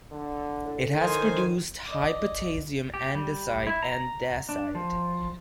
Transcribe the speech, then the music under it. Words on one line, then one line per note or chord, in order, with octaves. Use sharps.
It has produced high-potassium andesite and dacite.
D3
A2
D#3 C5 G#5
D5 D#5
G4
G3
E4
A#5
D4
F3